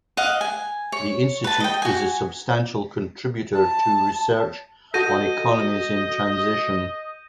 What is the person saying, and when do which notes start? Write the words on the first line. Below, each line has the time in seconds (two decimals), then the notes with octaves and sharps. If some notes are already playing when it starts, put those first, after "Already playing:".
The Institute is a substantial contributor to research on economies in transition.
0.17 D#5 F5 F#5
0.41 G#5
0.92 C#5
1.44 B4 A5
1.60 D#5 G5
1.82 F#4 G#5
3.53 A5
4.94 F#4 A4 D#5 G6 A#6 D#7